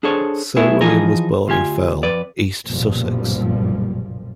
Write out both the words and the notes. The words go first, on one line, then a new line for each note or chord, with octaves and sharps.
Sir William was born in Firle, East Sussex.
D4 G#4 A4 C5 C#5
A3 B3 E4 G#4
E3 F3 D#4 G#4 A#4
D2 F4 G4 G#5
F2 B4 D5
F#1 B1 G2 A#2 F3 G3